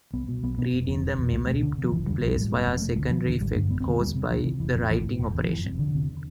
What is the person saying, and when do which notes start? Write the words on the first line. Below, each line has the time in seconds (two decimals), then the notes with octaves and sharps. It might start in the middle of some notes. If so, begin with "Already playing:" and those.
Reading the memory took place via a secondary effect caused by the writing operation.
0.14 C2 B3
0.28 B2
0.43 B1 B3
0.58 B2 B3
0.73 F1
0.88 F2 D3
1.03 E1
1.18 E2 B2
1.32 C2 A3
1.47 B2 A3
1.62 D2 D3
1.77 C3
1.83 F3
1.92 F1 E3
2.07 E2 D3 G3
2.22 B1 F3
2.36 A2 G3
2.52 F1 A3
2.66 F2 C3
2.81 E1 A3
2.96 D2 D3 A3
3.11 F1 F3
3.26 E2 D3
3.40 A1 G3
3.55 G2 D3 A3
3.71 F1 B3
3.80 C4
3.85 E2 D3 B3
4.00 D2 G3
4.15 C3
4.30 D2 F3
4.45 C3 E3
4.60 F1 E3
4.75 F2 C3
4.89 A1 E3
5.04 A2
5.19 F1
5.34 E2 B2
5.44 F3
5.49 G1 E3
5.64 F2 C3
5.79 F1 D3
5.94 E2 C3